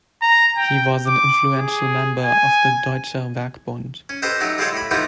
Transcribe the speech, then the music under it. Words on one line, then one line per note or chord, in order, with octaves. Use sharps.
He was an influential member of the Deutscher Werkbund.
A#5
G5
D6
G#4
G#5
C#4
G4 A4 B4 C5 D#5
F#3 A3 D#4 G4
G3 G#3 F4 G4 A4 C#5
A2 B5
E3 F3 G3 A3 B3 D#4